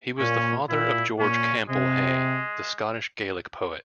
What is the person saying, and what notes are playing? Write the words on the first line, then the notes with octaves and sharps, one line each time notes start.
He was the father of George Campbell Hay, the Scottish Gaelic poet.
A#2 C#4
A#2 E4
A#2 C#4
C3 G#3